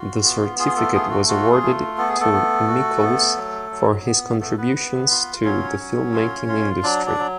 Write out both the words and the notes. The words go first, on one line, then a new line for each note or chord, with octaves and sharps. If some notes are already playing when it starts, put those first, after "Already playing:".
The certificate was awarded to Mikels for his contributions to the filmmaking industry.
Already playing: F4 F#4
B3
F4 G#4
A3 A4
A3 G#4
F#4
F4 F#4
G#4
A3
B3 A4
G#4
A3 A4
B3
F#4
B3
F#3
F#3
B3
A3 B3 A4
B3 B4
B3
F4
F#3 C#4 C#5
F#3
F4
F4
F#3 D4 D5
D4 D5
F#3